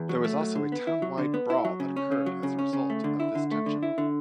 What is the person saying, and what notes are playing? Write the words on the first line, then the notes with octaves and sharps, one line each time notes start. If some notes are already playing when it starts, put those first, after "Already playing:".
There was also a town-wide brawl that occurred as a result of this tension.
Already playing: E2
F#3
A3
F#3
D3
B3
E4
F#3
D3
B3
E4
F#3
C#3
C#4
C#3
F#3
C#3
C#4
C#3
A3
D3
E4
D3
A3
D3
E4
D3